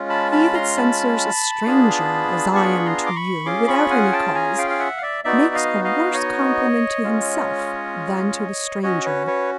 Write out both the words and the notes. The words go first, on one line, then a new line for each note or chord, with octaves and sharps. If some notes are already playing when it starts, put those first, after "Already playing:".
He that censures a stranger, as I am to you, without any cause, makes a worse compliment to himself than to the stranger.
Already playing: G#3 C#4 F4
A5 B5
A5 B5
A#5 C6
A5 B5
B3 D4 F4 G#4
B5 C#6
A#5 C6
D6
B5 C#6
C#4 F4 G#4 C6 D6
B5 C#6
F#5 G#5
G5 A5
G#5 A#5
F5 G5
F5
E5 F#5
F5
D5 E5
B3 D#4 F#4 D5 E5
D#5 F5
D#5 F5
C#5 D#5
G#3 C#4 F4
C#4 F#4 C#5 D#5
B4 C#5
B4 C#5